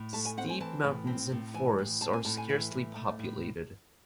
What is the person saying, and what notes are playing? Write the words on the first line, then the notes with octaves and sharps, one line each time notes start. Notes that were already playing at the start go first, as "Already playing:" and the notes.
Steep mountains and forests are scarcely populated.
Already playing: A2
A3 A5
G#5
C4 F#5
G#5
E3 A5
A2
C4
A2
E3 G#5
A2
C4 A5
G#5
A2 A5
G#5
E3 E5
A2
A3
A2